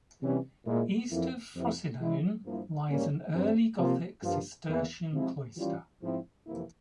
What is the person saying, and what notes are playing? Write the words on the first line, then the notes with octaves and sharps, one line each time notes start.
East of Frosinone lies an early gothic Cistercian cloister.
C3 E3 G3 C#4
A#2 G#3 E4
F2 E3 A#3 E4
F2 C3 E3
E3 G#3 C#4 E4
G2 F3 A#3 E4
G#2 G3 A#3 C#4
G2 E3 G3 C4
C3 F3 A#3 F4
G2 F3 A#3 F4
E2 E3 A#3 E4
C3 F3 G#3 E4
E3 G3 C#4 F4
G#2 F3 C4 E4
F2 C3 E3 A#3 E4